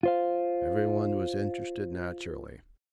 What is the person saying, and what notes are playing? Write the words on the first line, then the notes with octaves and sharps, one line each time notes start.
Everyone was interested naturally.
F4 C5 F5